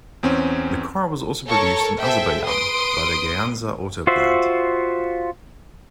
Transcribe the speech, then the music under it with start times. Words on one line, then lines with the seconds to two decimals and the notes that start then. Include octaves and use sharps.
The car was also produced in Azerbaijan by the Gyandzha Auto Plant.
0.23 E2 C4 C#4
1.47 A4 A#4 C#5 A5 C#6
2.00 G#4 A4 C5 E5 G5
2.44 B4 C6 D#6 D7
4.07 F4 F#4 C5 E5